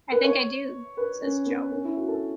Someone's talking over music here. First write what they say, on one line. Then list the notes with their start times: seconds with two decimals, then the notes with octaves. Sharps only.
"I think I do," says Jo.
0.12 B4
0.25 C#5
0.97 B4
1.22 C#4
1.46 B3
1.71 C#4
1.85 E4
1.97 F#4
2.08 A4